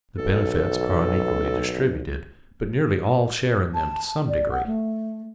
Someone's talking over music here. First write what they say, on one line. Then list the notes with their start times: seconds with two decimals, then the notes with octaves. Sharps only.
The benefits are unequally distributed, but nearly all share in them to some degree.
0.18 B1 A4
3.75 A5
4.28 D5
4.51 F#5
4.66 A3